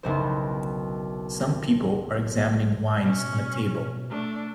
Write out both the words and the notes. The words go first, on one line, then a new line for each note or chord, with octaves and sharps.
Some people are examining wines on a table.
F#1 B1 C5
B2 C#4
A3 D4